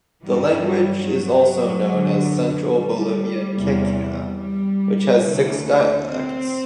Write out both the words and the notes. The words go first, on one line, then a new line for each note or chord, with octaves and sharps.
The language is also known as Central Bolivian Quechua, which has six dialects.
G2 E3 G3
F#3
F#2 D3
G3
E2 C3 E3
G3
D2 C3 E3 A3
C4